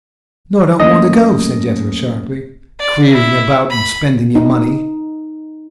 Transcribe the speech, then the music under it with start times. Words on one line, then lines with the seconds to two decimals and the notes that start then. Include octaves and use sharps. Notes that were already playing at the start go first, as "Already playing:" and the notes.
"Nor don't want to go," said Jessica sharply; "creering about and spendin' your money."
0.80 F#2 A3 A#3 D#5
2.79 D5
3.11 E4
3.70 B5
4.35 D#4